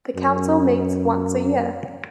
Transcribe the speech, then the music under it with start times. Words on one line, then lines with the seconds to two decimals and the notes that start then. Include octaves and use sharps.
The Council meets once a year.
0.16 F#2